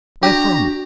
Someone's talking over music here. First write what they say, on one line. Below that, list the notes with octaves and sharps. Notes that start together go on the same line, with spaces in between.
"Where from?"
D4 F#4 G4 A#5